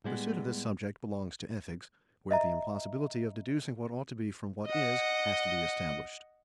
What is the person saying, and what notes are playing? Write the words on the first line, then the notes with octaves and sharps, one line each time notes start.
The pursuit of this subject belongs to ethics, where the impossibility of deducing what ought to be from what is has to be established.
A2 G3 G#3 B3
D#5 E5 A#5
D#5 F#5